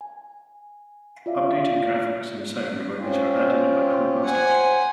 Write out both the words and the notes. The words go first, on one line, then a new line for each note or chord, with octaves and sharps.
Updated graphics and sound were later added by Codemasters.
G#5
F4 D5 E5 F5
C4 C#4 F4
C5 F#5 G#5